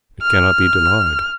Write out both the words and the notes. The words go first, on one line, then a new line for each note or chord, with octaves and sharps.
'It cannot be denied.'
F6